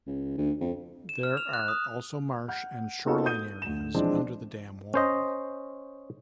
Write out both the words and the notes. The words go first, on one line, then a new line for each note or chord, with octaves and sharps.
There are also marsh and shoreline areas under the dam wall.
C#2
D2
F2
E7
F6
F7
F#6
D#6
F#5 F6 G6
A#3 B3 D#4 F4 F#4 A4
D#6 G6 D#7
D2 E7
E3 F3 G#3 C4 D4
C#4 C5 D#5